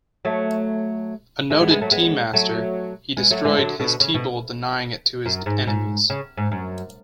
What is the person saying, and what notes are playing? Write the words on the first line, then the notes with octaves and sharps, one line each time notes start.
A noted tea master, he destroyed his tea bowl denying it to his enemies.
F#3 A3
E3 G#3
G#3 B3
G#3 B3
F#3 A3
G#3 B3
F#3 A3
G#3 B3
F#3 A3
E3 G#3
D3 F#3
B2 D3
C#3
B2
F#2
G#2
G#2
C#3
G#2
F#2